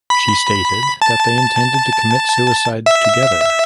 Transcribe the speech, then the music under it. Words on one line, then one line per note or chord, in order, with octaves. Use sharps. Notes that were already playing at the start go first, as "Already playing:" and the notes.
She stated that they intended to commit suicide together.
B5
A5
E5